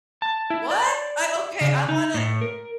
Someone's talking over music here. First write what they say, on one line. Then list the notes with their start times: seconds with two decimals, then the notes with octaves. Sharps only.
What? I okay, I wanna
0.22 A5
0.50 E4
0.71 D5
1.61 C#3
1.89 D#4
2.14 A2
2.41 A#4